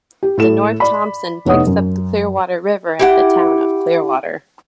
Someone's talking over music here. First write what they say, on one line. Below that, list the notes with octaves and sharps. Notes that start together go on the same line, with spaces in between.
The North Thompson picks up the Clearwater River at the town of Clearwater.
G4
A2 A4 E7
D5 B5
F1 B3 D#4 C#5 F#5 D#6
F#2
E4 G4 F#5